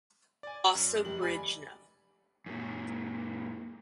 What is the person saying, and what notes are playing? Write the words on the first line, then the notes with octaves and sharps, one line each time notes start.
Also bridge no.
D5 G#5
F#2
F1 G4 F#7
D5 G#5 B5
F#2 A#2